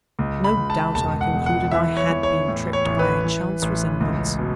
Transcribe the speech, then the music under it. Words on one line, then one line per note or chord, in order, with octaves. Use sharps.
No doubt, I concluded, I had been tricked by a chance resemblance.
C#2
B5
C#2
A5
E1 A5
F#5
E2
F#5
E3 E5
C#5
E2
C#5
A2
C#5
A1
B4
E3
A1
C#2
B2